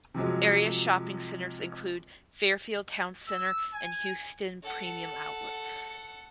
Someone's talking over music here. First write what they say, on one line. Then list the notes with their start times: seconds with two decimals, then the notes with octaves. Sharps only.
Area shopping centers include Fairfield Towne Center and Houston Premium Outlets.
0.14 C3 F3 F#3 G#3
3.28 E6
3.73 G#5
4.63 A4 F#5